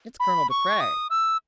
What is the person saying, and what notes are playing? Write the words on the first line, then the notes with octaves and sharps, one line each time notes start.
"It's Colonel De Craye."
B5
C#6
D#6
E6